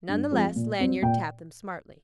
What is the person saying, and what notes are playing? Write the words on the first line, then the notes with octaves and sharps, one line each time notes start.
None the less, Lanyard tapped them smartly.
G2
F3 G#3 C4
A#2
G3 C4
A#2 G5